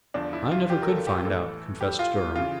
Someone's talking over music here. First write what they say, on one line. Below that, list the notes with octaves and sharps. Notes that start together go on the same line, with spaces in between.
"I never could find out," confessed Durham.
E2 D3 F3 D4
E4
F4
G4
A#4
A4
G4
A2 E3 A4
G4
F4
C#3 E3 F4